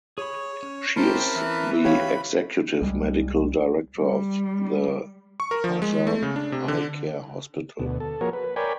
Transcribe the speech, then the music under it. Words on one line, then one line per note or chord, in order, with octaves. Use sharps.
She is the executive medical director of the Rajan Eye Care Hospital.
G#4 C#5 B5
C#4
C4 C#4 E4 G4 A#4 C5 A5 B5
E3
G4 C#5 F5 B5
C2 G3 G#3
G3
C#6
A#4
F3
G#3
A3
C#3
D4
C3
D3
D2 B2
A4
F3 A#3 F#4 G#4 A#4 C#5
B4
A#4 C#5 D5 G5 G#5 B5